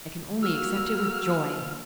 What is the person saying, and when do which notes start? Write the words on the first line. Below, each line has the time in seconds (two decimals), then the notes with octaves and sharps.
I can only accept it with joy.'
0.43 A#3 F#4 E6 F6